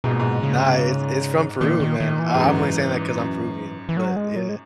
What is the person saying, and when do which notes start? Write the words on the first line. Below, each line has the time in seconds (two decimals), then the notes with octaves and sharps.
No, it's it's from Peru, man. I I'm only saying that 'cause I'm Peruvian, but yeah.
0.04 G#2 B2
0.11 A#2
0.19 G#2
0.43 C#3
1.61 A#2 D#3
1.80 D#3
2.00 D#3
2.20 E3
2.34 G#2
2.40 F#2
3.18 F#2
3.89 E3
3.97 F#3
4.16 G#3
4.36 F#3
4.49 G#3